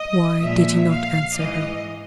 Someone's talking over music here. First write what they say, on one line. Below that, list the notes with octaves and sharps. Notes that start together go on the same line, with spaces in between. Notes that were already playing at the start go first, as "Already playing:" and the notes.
Why did he not answer her?
Already playing: D#5
A#2 F3 G#3 E5
F5
G#2 E3 D#5